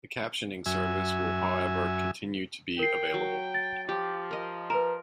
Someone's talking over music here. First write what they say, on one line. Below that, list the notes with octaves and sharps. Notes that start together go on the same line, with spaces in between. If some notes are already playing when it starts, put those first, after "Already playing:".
The captioning service will however continue to be available.
F#2 E5 G#5
A#4 G5 C7
F#3
A6
F3 G4
A#4 D#5
A#4 B4 A#5